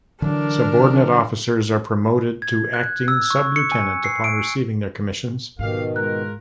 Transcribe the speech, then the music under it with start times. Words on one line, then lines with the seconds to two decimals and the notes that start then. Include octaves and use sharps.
Subordinate officers are promoted to acting sub-lieutenant upon receiving their commissions.
0.22 D3 E3 F#3 D4 A#4
2.42 G#6
2.73 F#6
3.08 E6
3.30 C#6
3.56 C#7
3.72 G#5
4.04 C7
4.24 D7
5.59 B1 G#2 B2 D#3 G4 F5
5.96 G#3 F4 A#4 F#6